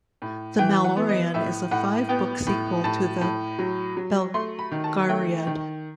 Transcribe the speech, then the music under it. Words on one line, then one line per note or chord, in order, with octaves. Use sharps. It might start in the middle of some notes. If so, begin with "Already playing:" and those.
"The Malloreon" is a five-book sequel to the "Belgariad".
A2
E3 G5
F#5
B3
D#5
A2 E5
A2 F#5
B3 G5
A2
A2 A5
A2
F#3
F#3
A3 C6
B5
D#3
A5
A3 G5
D#3